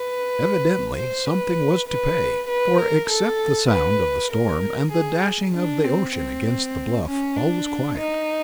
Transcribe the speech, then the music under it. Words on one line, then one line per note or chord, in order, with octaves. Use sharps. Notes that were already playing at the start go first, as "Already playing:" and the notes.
Evidently something was to pay, for, except the sound of the storm and the dashing of the ocean against the bluff, all was quiet.
Already playing: B4
C5
B4
B4
B4
A#4
A4
B4
A#4
G#4
D4
C4
C4
C#4
D4
D#4